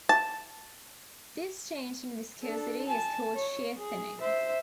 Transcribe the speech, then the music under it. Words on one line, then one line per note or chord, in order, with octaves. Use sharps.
This change in viscosity is called shear thinning.
A5
D4 A4
G#5 A5
C#5
G#4
C5 E5